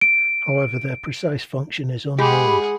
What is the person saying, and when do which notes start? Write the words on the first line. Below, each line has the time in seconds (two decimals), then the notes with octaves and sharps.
However their precise function is unknown.
0.01 D7
2.19 G#3 G4 G#4 F#5 B5